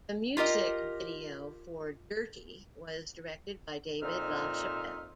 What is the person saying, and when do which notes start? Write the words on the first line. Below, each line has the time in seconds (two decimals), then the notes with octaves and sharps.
The music video for "Dirrty" was directed by David LaChapelle.
0.37 F4 G4 A#4 D#5
4.02 F2 A#2 D#4 C5 E5 F6